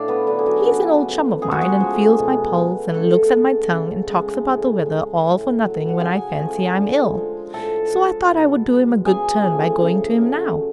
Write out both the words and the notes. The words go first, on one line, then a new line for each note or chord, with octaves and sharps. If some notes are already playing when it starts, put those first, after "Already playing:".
He is an old chum of mine, and feels my pulse, and looks at my tongue, and talks about the weather, all for nothing, when I fancy I'm ill; so I thought I would do him a good turn by going to him now.
Already playing: A2 D4 D5 F5
B3 B4
D3 F#3 A3 D4
G#4
F#3 F#4
C#3
F3 A3
C#3 G#4
F#4
G#3 G#4
F3 A3
B2
A3
C#3 A3 A4
G#3
C#3
G#3
A2
G#3
A2
F#3 A3
F#5
C#3 G#4 G#5
F3 A3
D3
F3 G#3
A2 A4 A5
G#3
B2
G#3
C#3 G#4 G#5
F3 A3
C#3
F#3 A3